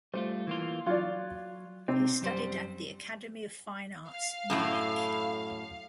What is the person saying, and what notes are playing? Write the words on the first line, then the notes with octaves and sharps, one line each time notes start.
He studied at the Academy of Fine Arts, Munich.
G3 A3 F4 C5
E3 A#3 F4
F#3 F4 D5
C3 C4
F#2 G3 C5
F5
F#2 A2 E4